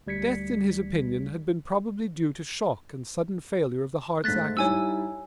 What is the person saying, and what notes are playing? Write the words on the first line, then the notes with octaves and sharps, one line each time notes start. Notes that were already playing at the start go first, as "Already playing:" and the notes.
Death, in his opinion, had been probably due to shock and sudden failure of the heart's action.
D2 G3 G#6 B6 C#7
G#2 A3 F#6 A6 B6
G3 D#4 E4 C#5 G#5 E6